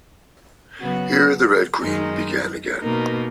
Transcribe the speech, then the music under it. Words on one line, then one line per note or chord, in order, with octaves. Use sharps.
Here the Red Queen began again.
C#3 F#3 B3 F#4 B4
F#2 D#3 G#3 D#4
B2 A#3 D#4 A#4